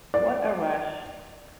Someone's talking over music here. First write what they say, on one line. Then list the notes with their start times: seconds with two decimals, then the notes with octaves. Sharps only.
What a rush.
0.14 D5